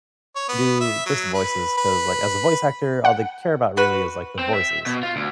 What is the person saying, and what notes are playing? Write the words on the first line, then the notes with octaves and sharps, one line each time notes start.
I do just voices 'cause, like, as a voice actor, all they care about really is, like, the voices.
C#5
B3
E5
F#3
B4
B4
F#5
F#4 B4
C4
E5
B2
F4
D2